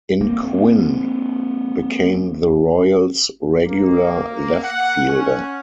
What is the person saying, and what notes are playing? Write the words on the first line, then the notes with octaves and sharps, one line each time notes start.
In Quinn became the Royals regular leftfielder.
A#3 C4
A#3
F#5
C#4